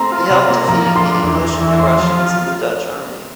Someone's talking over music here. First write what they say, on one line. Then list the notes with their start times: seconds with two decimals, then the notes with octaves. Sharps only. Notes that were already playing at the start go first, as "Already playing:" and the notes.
He helped defeating the English and the Russians in the Dutch army.
Already playing: C4 A#5
0.12 F4
0.30 C3
0.49 A#3
0.68 F3 A#5
0.87 F3
0.96 C6
1.05 D4
1.23 E2
1.43 E2
1.61 E3
1.79 C5
1.98 F3
2.17 F4